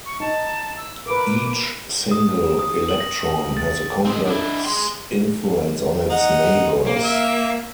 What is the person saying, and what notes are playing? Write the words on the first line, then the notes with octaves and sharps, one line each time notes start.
Each single electron has a complex influence on its neighbors.
C#6
D#4 A5
E6
A#4 B4 D6
D#6
D#6
F#7
A#6
A6
C4 D#5
D4 E4
G#4 C6
D#4 F#5
A#3
E5